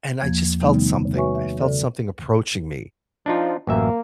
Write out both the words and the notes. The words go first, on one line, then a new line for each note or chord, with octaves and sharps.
and I just felt something I felt something approaching me.
E2 F3 A#3 G#6
C3 D#3 G3 A3 B3 D#4
F#4 B4 C#5 E5 G#5 C#6
E5
C#3 A4 D5
F3 D4 D#4 F4
A1 F#2 A#3 E5